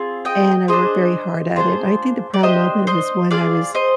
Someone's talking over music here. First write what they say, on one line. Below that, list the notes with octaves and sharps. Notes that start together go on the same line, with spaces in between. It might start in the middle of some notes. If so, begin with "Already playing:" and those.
and I worked very hard at it. I think the proud moment was when, I was
Already playing: C4 F4 G#4
D#5 G5
D4 G#4 C5 D#5
D4 F4 G#4 C5
D5
D4 G4 C5 D#5
C5 D#5
C4 F4 G#4 D5 F5
C5 D#5